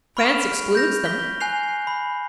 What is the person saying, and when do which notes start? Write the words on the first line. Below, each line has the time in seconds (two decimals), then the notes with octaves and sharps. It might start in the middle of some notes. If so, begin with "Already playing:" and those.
France excludes them.
0.17 B5 C#6 F6 D7 E7 F7
0.75 G6 A#6 F7
1.05 B6 G7
1.40 G#5 F#6 C7 F7
1.87 B5